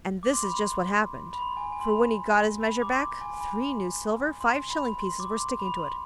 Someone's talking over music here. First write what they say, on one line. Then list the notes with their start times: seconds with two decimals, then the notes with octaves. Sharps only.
And this is just what happened; for when he got his measure back, three new silver five-shilling pieces were sticking to it.
0.23 D6
0.33 C6
0.43 B5
0.54 C6
1.33 B5
1.42 C6
1.57 G#5
1.72 G#5
1.81 C6
1.87 B5
2.61 B5
2.82 D6
2.91 C6
3.21 G#5
3.34 G#5
3.41 B5
3.61 C6
4.41 C6
4.70 B5
4.99 C6
5.20 D6
5.40 C6
5.59 B5
5.80 C6